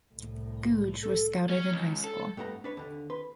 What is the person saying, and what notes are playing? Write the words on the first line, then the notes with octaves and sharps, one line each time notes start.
Googe was scouted in high school.
C2 A2
A4
C#4
C#2
A4
G2 A3 B3 A#4 A#5
D4 B4 C#5
D#2 D3
B4 C6